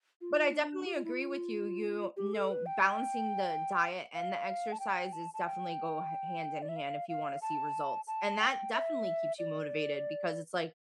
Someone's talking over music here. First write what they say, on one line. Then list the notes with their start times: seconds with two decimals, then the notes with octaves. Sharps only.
But I definitely agree with you, you know, balancing the diet and the exercise is definitely go ha hand in hand if you wanna see results, and that definitely keeps you motivated because it's like,
0.21 F4
0.53 D4
0.86 G4
0.95 F4
1.04 E4
1.13 F4
2.17 G4
2.33 A4
2.51 B4
2.66 G5
2.82 G5
4.15 F5
4.72 A5
4.80 G5
5.13 A5
5.34 A5
5.45 G5
6.62 D5
6.69 E5
6.76 F5
7.09 F5
7.42 A5
8.08 A5
8.41 G5
8.73 E5
9.39 D5